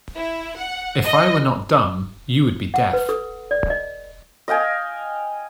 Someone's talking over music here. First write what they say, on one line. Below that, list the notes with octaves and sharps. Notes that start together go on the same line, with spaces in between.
If I were not dumb, you would be deaf.
E4
F#5
D#5
F#5
B4
A4
D5
D#5
D#5 F5 G5 G#5